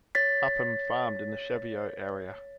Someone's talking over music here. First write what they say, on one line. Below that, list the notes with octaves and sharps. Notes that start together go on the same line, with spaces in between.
Upham farmed in the Cheviot area.
C#5 A6 B6